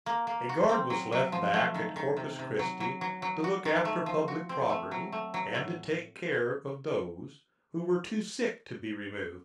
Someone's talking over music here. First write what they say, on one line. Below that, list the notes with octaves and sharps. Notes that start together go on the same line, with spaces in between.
A guard was left back at Corpus Christi to look after public property and to take care of those who were too sick to be removed.
A#3
A#3
F#4
C4
F#3
F#3
F3
A3
D#3
D#3
C3
C3
F#3
F#3
F#3
F#3
F#4
D#3
A3
F3
F#4
C4
A3
F#3
A3
F#3
A2